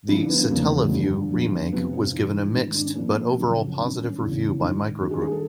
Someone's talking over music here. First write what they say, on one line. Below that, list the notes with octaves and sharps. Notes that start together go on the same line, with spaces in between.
The Satellaview remake was given a mixed, but overall positive review by Microgroup.
G2 D3 F3 E4
D4
B3
C4
E2 C#3 F3 A#3
A3
A3
G#3
F2 D3 F3 G3
F2 D3 F3
F2 C3 F3 B3
C4
G2 E3
G#2 D#3
D#4
D4
C#4
A#2 F3 C4
F#2 C#3 F3
G2 D#3 C4
C#4
E2 C#3 E3
G#2 D#3 D4
G2 D#3 F#4
G#4
G#4
A4